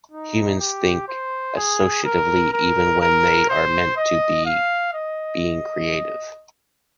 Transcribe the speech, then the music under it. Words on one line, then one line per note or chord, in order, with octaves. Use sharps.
Humans think associatively, even when they are meant to be being creative.
D#4
G4
C5
G#4
A#4
A#4
A#4
C5
D#5
F5
D#5